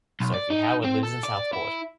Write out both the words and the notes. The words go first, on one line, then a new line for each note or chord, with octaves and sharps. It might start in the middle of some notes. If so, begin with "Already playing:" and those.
Sophie Howard lives in Southport.
B1
D5
D#4
C4
A4
D5
E4